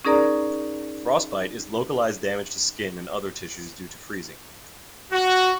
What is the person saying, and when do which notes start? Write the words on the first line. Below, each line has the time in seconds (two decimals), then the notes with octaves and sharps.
Frostbite is localized damage to skin and other tissues due to freezing.
0.05 C#4 D#4 G#4 A#4 D5 A#5
5.12 F#4